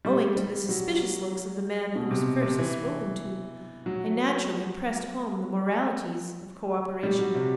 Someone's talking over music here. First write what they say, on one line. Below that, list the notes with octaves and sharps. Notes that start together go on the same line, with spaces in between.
Owing to the suspicious looks of the man who was first spoken to, I naturally pressed home the moralities of co-operation.
G3
G3
F#3
B2
C3
C3
E3
F#3
G3
F#3
C3